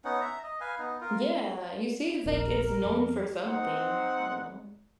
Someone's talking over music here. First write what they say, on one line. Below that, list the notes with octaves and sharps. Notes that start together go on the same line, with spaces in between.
Yeah, you see, it's like it's known for something, you know, s
B3 C#4 D#4 F#5
E5 A#5
D#5
B4 F5 G#5
B3 D#4
F4 A#4
D#1 A#1 A#4
F2
C4 D#4 C5 F#5